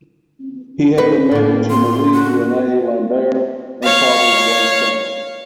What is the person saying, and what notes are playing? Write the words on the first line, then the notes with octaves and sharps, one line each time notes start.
He had been married to Marie Reine Lambert and fathered one son.
D#4 B4
A2 A#3
C6
F#4
C#5 F5